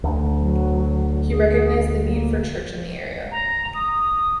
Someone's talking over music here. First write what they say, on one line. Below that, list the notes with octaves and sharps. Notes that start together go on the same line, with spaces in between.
He recognised the need for church in the area.
D2
F#3
G#4
A#3
A#5
D#6